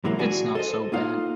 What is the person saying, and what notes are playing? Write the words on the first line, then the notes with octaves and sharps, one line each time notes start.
It's not so bad.
C3 E3 F#3 G#3 A#3
D4 F#4 G#4
A4 C5 D#5
A#3 D#4 F4 F5 F#5